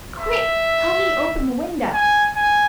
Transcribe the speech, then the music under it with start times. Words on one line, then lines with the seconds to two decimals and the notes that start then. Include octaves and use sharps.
"Quick, help me open the window."
0.20 E5
1.94 G#5
2.36 G#5